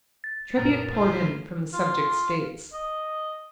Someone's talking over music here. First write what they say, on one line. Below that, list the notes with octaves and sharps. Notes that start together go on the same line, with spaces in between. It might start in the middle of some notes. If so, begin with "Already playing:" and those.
Tribute poured in from the subject States.
A6
F#1 F#2 A#2 B3 A#4 A#5
G1 A3 E4 F4 C5 A#5
F4
D#5